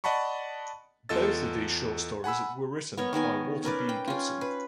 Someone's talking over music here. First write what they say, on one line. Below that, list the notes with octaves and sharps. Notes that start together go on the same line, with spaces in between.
Both of these short stories were written by Walter B. Gibson.
D5 D#5 F#5 A5 B5 C#6
E2 F4 A4 D#5 E6 A6
F#5 G#5 B5 E6
B3 A#4 C#5
D#3 B3 A#4 G#5
C#4 A#4 B4 D5
G5
C#4 F4
B4